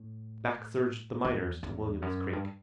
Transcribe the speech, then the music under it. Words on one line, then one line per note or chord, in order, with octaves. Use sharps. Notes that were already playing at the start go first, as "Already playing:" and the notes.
Back surged the miners to William's Creek.
Already playing: A2
E2
E2
F#2
G2